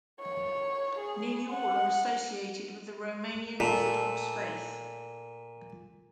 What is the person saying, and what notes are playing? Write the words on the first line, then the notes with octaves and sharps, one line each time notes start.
Nearly all are associated with the Romanian Orthodox faith.
C#5
G#4
F#5
A#2 A4